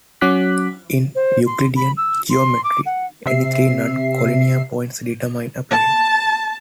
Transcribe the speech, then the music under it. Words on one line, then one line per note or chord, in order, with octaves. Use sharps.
In Euclidean geometry, any three non-collinear points determine a plane.
F#3 C#4 F#4 D6 F#6 B6
C5
C6
B5
E6
C6
D6
F#5
C3 E5 C7
A5